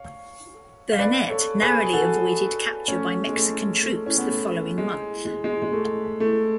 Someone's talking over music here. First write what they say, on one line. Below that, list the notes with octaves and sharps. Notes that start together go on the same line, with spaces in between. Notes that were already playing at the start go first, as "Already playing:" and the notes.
Burnet narrowly avoided capture by Mexican troops the following month.
Already playing: C#5 F5
F5
B4 D5
A4 C#5
G#4 B4
G#4
F#4 A4
A3 C#4
G#3
A3
A3
C#4
B3
A3
G#3
G#3
G#3
G#3
A3
A3